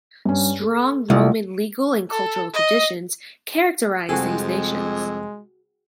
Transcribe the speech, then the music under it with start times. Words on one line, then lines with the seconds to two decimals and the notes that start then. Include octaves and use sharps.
Strong Roman legal and cultural traditions characterize these nations.
0.25 G2 C#4
0.62 A4
1.10 C2 G#3 A#3 F4
2.10 A4
2.54 D#5
4.09 C2 F2 G#3 C4 F#4 G#4 A4